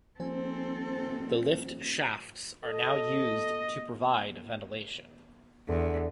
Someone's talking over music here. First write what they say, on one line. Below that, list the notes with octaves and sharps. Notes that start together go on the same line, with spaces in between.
The lift shafts are now used to provide ventilation.
D#1 F3 C4 A4 C5 G#5
A4 D#5
E2 D3